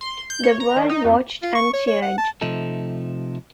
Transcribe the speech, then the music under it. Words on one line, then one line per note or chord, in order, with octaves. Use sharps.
The world watched and cheered.
C6
G6
C#5
A#5
D#3
D#4
F2
F4
C#6
C#5
C#5
F#5
A5
C3 F3 A3 D#4 A4